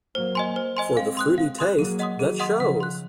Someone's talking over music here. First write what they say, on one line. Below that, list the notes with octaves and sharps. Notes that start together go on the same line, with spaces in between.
For the fruity taste that shows!
F#3 A#3 C5
D#5 G#5 C6
C5
D#5 G#5 C6
G#3 C4 F5
C6 D#6 F#6
F5
C6 D#6 F#6
F#3 A#3 G#4
D#5 F#5 C6 D#6
D#3 F#3 G#4
D#5 F#5 C6 D#6
C#3 F3 F#5
C6 F#6